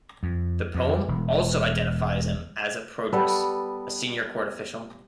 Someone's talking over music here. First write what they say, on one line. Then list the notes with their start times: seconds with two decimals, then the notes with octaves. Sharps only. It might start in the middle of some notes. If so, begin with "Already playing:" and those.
The poem also identifies him as a proedrus, a senior court official.
0.23 F2
0.75 F2
1.08 E1
3.13 G3 B3 A4